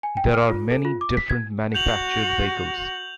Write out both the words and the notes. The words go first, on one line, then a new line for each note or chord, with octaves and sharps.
There are many different manufactured vehicles.
G#5
G5
F6
F4
A4
F4
D6
B6
G#6
F#4 G6 F7 F#7